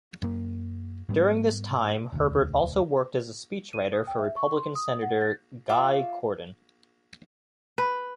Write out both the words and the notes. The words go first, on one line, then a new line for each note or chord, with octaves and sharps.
During this time Herbert also worked as a speechwriter for Republican senator Guy Cordon.
F#2 A#3
G#2 G3 A#3 B3
E1 D2
D#7
D#6
G5
E5
C#6
C6
D#6
F#5
A6
F4 E5 C#6 D6
B4